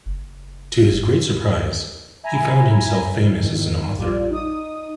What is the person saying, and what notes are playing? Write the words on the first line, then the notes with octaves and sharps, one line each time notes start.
To his great surprise, he found himself famous as an author.
F#1
E5 G#5 A#5 B5
E2 G#2 D#3
A#1 G3 F4 D5
D#4 D#6